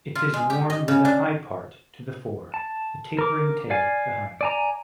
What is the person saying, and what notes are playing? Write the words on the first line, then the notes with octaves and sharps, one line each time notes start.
It is worn with the high part to the fore, the tapering tail behind.
F4
G#3
G4
D#5
C#3
D4
A5
A#4 D6
D5 F5 G#5
D5 G#5 A#5